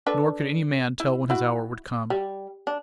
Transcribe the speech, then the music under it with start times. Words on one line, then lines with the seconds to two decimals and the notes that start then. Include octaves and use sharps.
Nor could any man tell when his hour would come.
0.06 D4 A4 B4
1.00 E4
1.30 E4 F#4
2.10 G3
2.67 D4